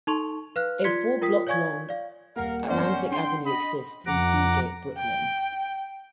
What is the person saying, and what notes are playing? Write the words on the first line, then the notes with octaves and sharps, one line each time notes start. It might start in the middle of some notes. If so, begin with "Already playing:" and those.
A four-block-long Atlantic Avenue exists in Sea Gate, Brooklyn.
D#4 A4 A5 C6 C#6 F7
B4 F5 F6 F#6
F4 D5 C6 G#6 B6 C#7
F4 A#4 G5 D#6 B6
C#5 D5 F5 G#5 C#6 G#6
D5 F5
D#1 A#3 A#4 F5 F#5
G1 C4 C#4 A#4 C5 D5
D4 G5 C6
D#5 B5
F2 F#5 A#5 D6
G5